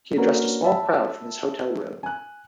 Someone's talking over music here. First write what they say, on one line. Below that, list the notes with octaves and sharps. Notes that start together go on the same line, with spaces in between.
He addressed a small crowd from his hotel room.
A#3 C#4 D4 F#4 A#4 B4
E5 A5 B5
G#5 F#6